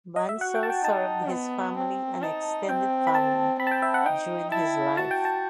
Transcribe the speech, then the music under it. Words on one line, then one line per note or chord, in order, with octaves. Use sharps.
Bansal served his family and extended family during his life.
D#5
E5
F#4 F#5
G5
A5
G5
D#4 A5
B3
C4
D#4 A5
C4 G5
B5
A5
C4 B5
A5
G5
E5
F#5
D#4 G5
E4 A5
F#4 A5
G5
A5